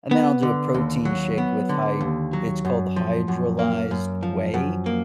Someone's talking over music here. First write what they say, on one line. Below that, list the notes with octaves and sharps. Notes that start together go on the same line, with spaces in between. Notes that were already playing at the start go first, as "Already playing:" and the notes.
and then I'll do a protein shake with hy It's called hydrolyzed whey,
B3
D3
D#2
F#3
B3
D3
D#2
F#3
F#2
F3
F#2
A#3
F#2
F3
F#2
A#3